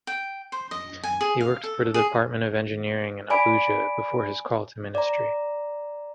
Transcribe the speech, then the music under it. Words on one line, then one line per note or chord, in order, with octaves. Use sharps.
He worked for the Department of Engineering in Abuja before his call to ministry.
G5
C5
D#5
G#5
G#4
F5
A4
G#4
D5 G#5 B5 D7
D5 A#5